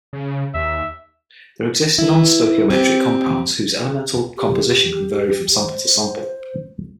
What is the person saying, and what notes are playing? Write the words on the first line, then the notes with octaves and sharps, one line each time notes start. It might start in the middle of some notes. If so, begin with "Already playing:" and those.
There exist non-stoichiometric compounds whose elemental composition can vary from sample to sample.
C#3
D#2 E5
E4 B4
C4 G4
G4
C5